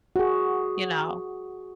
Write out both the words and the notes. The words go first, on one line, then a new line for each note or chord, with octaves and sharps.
you know,
F#4 G#4